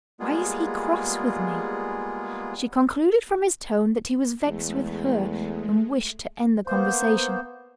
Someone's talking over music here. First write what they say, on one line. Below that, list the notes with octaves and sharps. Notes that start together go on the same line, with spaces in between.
"Why is he cross with me?" She concluded from his tone that he was vexed with her and wished to end the conversation.
G3 G#3 A#3 B3 F4 G#4
E2 G#3 A3
A#3 B3 C5